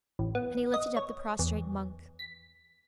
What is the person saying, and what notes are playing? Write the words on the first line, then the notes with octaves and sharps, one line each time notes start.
And he lifted up the prostrate monk.
A1
B3
D#5
C#5
E2
B6